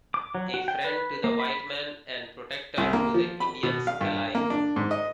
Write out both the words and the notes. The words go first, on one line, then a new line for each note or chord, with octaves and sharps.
A friend to the white man and protector to the Indians alike.
D6
F#3
F#4
G5
B4
A#3
B5
C2
A#3
F3
B5
B2
F5
G2
A#3
D4
G#2
D#5